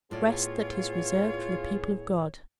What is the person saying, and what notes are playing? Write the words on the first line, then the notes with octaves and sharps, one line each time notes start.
"Rest that is reserved for the people of God."
A2 B3 F4 G#4 C#5 D5